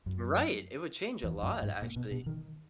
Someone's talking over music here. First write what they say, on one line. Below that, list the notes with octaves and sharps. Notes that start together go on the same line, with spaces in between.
Right. It would change a lot, actually.
F#2
E2
F#2
G#2
A#2
B2
B2
D#3